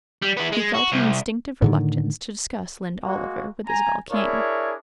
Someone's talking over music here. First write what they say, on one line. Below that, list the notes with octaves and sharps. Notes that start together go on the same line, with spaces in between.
He felt an instinctive reluctance to discuss Lynde Oliver with Isabel King.
G3
B3 E4
G#3
F#4
C2
A2 D3 D#3
G#3 A#3 F#4
G#5 A#5
D4 E4 G#4 A#4 C#5